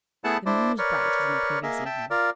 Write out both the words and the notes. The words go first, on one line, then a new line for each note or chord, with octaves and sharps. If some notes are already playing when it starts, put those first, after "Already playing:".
The moon was bright as on the previous evening.
A3 B3 E4 G#4 F#5 A5
D4 E4 C5 D5
A#4 B4 C#5 D5
A#3 G#4 D#5 E5
E5 G5 A5
F4 A#4 D5